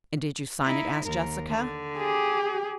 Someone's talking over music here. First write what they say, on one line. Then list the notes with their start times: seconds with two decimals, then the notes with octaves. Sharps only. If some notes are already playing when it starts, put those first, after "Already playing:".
"And did you sign it?" asked Jessica.
0.63 D#4 E4
1.05 D#2 A#4
1.48 D3
1.98 G4 G#4